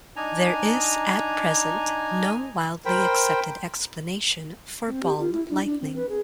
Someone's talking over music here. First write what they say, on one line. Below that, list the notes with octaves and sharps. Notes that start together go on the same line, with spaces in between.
There is at present no widely accepted explanation for ball lightning.
D4 D#4 G#5 A#5
A#4 C5 G5 B5
C4
G4
F4
E4
D4
D4
C4
B4
G#4